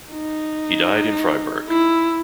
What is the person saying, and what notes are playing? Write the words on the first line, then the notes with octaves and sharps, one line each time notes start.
He died in Freiburg.
D#4
E4